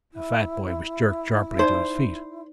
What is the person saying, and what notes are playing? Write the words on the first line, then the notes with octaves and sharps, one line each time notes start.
The fat boy was jerked sharply to his feet.
E4
D#4 C5 D5